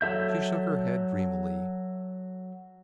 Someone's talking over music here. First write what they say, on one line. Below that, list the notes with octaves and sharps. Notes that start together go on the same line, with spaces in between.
She shook her head dreamily.
F#3 A4 E5 G6